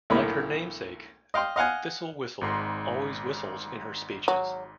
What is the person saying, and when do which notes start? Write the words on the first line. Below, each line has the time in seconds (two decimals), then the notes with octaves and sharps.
Like her namesake, Thistle Whistle always whistles in her speeches.
0.10 B1 A2 D3 A#3 B5
1.34 D#5 F5 G5 C6
1.56 D#5 F5 F#5 G#5
2.41 G#1 G#2 C6
4.28 F#3